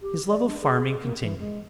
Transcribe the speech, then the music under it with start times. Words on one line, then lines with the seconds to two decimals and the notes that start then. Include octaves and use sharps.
His love of farming continued.
0.01 G4
0.30 D5
0.47 D4
0.61 G#4
1.02 A#3
1.21 E3
1.39 G#3